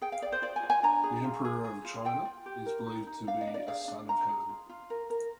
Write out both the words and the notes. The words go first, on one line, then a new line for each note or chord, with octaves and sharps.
The emperor of China is believed to be a Son of Heaven.
G#4 G5
F5
G#4 D5
C5
F4 D5
G#5
F4
G#5
D4 A#5
G#4
F4
G#4
G#4
F4
F4 G5
F4
G4
A#4
D#4
D#4
D4 F5
D#5
D4
D5
G#4 F5
D4
F4 A#5
G#4
F4
F4
A#4
A#4